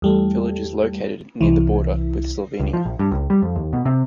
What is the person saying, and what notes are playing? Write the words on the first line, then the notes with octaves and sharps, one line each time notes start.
Village is located near the border with Slovenia.
E2 G3 A3
C2 E3
C#2
F3
A#1
G2
C#2
G3
F2
D#2
B2
C3